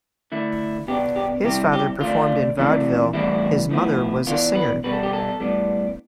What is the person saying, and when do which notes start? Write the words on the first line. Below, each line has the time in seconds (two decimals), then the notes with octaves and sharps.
His father performed in vaudeville; his mother was a singer.
0.32 D3 A3 E4
0.87 B2 B3 D4 G4
1.16 G4
1.44 C3 G3 C4 E4 G4
1.73 G4
2.00 D3 A3 D4 F4
2.57 C3 E3 A3 D4
3.13 A2 E3 G3 B3 D4 E4
3.71 A2 F3 B3 E4
4.27 E3 B3 D4 F4
4.55 B4
4.84 B2 G3 B3 B4
4.93 A4
5.03 G4
5.13 A4
5.40 A2 G3 B3 D4